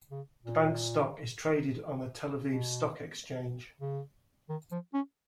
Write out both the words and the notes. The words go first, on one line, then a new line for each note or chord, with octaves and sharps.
The bank's stock is traded on the Tel Aviv Stock Exchange.
C#3
A#2
B2
C#3
D#3
F3
C#4